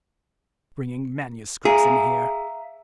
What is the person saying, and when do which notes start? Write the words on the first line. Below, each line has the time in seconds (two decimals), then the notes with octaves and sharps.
Bringing manuscripts in here!
1.65 G#4 E5 F5 A#5